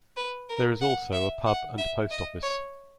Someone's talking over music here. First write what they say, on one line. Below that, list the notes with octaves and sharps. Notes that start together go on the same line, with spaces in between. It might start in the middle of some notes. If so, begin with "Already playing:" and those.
There is also a pub and a post office.
B4
A#4
F#5
E5
F#5
E5
D#5
C#5